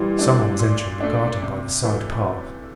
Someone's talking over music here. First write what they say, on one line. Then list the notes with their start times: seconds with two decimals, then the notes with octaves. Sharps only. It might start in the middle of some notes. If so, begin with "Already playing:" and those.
Someone was entering the garden by the side path.
Already playing: A#2 E3 G3
0.19 A3 D4
0.59 A#2
1.00 A3 D4
1.42 C3
1.84 E3 A3